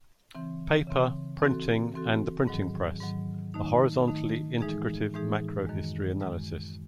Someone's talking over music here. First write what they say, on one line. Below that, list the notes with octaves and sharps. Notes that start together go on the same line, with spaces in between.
Paper, printing and the printing press: A horizontally integrative macrohistory analysis.
C#3 E3 C4
C#3 E3 C4
E3 C4 F#4 A4
E3 C4 F#4 A4
G#2 D#3 F#3
G#2 D#3 F#3
D#3 A3 D#4
D#3 A3 D#4
A2 E3 G#3 D#4 G#4
A2 E3 G#3 D#4 G#4
F#2 D#3 G#3
F#2 D#3 G#3